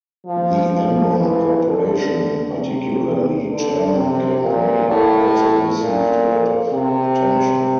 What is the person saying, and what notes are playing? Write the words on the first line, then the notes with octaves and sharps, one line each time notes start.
The Enron Corporation, and particularly Chairman Ken Lay, also received a lot of attention.
F3
F3
E3
D3
C3
D3
C3
A#2
A2
A#2
C3